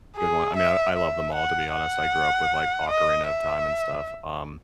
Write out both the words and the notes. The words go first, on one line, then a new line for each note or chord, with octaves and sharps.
good one I mean, I I love them all, to be honest, I grew up with, like, Ocarina of Time and stuff, um,
G#4
E5
E5
F#5
F#5
D#5
E5